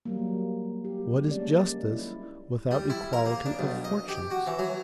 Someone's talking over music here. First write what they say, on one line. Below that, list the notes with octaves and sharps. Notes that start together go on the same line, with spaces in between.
What is justice without equality of fortunes?
F#3 G3 A#3
G4
G3 G#3 A#3 C#4 D4 D5
E4
G3
E4
A#4
A#3
D4
B1
D#5
G4
F#4
E3
F#3